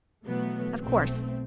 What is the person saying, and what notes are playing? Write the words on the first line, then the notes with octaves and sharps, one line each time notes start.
"Of course."
B2 E3 F#3 A3 B3
B1 A3 C4